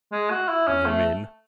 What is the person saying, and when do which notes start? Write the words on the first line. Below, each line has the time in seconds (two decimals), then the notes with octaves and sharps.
"Bring him in."
0.12 G#3
0.31 F#4
0.49 E4
0.67 C#4
0.86 A3